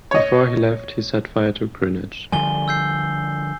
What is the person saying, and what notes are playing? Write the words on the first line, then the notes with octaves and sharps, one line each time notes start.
Before he left he set fire to "Greenwich".
C#5 D#5
D3 F3 G3 G#5 G7
E6 G6 C7